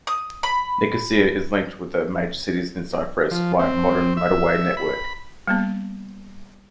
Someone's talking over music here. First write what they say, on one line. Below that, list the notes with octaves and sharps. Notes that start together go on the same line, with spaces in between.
Nicosia is linked with other major cities in Cyprus via a modern motorway network.
D#6
B5
F3
C4
E5
B5
G3 A#3 B3